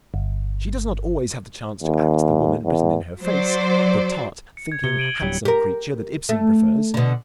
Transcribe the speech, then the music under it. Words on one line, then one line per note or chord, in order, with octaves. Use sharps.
She does not always have the chance to act the woman written in her face, the tart, thinking, handsome creature that Ibsen prefers.
G1
D#2
E2
F#3 C5 D5
C#7
G#6
C3 G#6 C#7 G7
D7 D#7 F#7
D1 F#3 G3
G4 A#4
A3
B2 D3